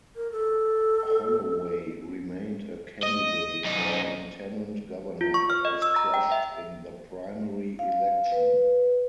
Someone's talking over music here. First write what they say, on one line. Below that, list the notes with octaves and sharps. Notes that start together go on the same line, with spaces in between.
Holloway remained a candidate for lieutenant governor but was crushed in the primary election.
A#4
A4
D#5
F#2 D#4
F4
C#6
F6
D#5
E6
A#5
G5
E5
F5
B4